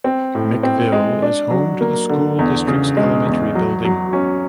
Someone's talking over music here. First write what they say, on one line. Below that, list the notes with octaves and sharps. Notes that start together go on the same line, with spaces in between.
McVille is home to the school district's elementary building.
C4
A2
C4
G#3
D4
F#3
A#3
D3
E2
C#3
G#3
E2
F#3
F#3
C#4